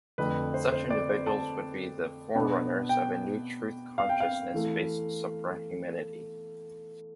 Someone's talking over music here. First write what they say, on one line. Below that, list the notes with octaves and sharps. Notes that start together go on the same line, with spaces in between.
Such individuals would be the forerunners of a new truth-consciousness based supra-humanity.
F2 D3 A3 B4
C5
C5
D5
C5
A5
B2 B3 D4
G5
F5
G5
F5
E3 A3